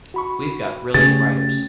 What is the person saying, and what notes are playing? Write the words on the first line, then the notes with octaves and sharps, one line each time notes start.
We've got brilliant writers.
F#4 B5 C#6
C#3 A3 C#4 G4 A6